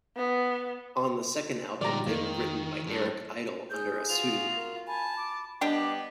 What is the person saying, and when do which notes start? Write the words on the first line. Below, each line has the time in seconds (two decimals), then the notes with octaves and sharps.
On the second album they were written by Eric Idle under a pseudonym.
0.17 B3
1.81 A#2 D3 F3 G3 G4 D5 A#5
2.06 F2 D#3 A#3
2.87 G2 G#4 B4 A5
3.70 G#4 G6
4.09 F4 F#4 F7
4.56 A#4
4.87 G#5 A5 B5
5.17 D6
5.61 G3 B3 D4 G4 B4 D#5 D6